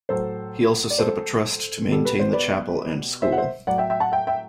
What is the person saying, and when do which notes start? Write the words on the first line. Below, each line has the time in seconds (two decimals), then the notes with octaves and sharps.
He also set up a trust to maintain the chapel and school.
0.09 A2 F#3 A4 C5
0.90 D5
0.99 A4 C5
1.89 B2 G3 A4
2.05 B4
2.20 C5
2.33 B4 D5
3.22 C5 E5
3.32 F#5
3.37 C5 E5
3.67 A2 F#3 D5 F#5
3.78 E5 G5
3.90 E5 G5
4.00 F#5 A5
4.12 E5 G5
4.27 E5 G5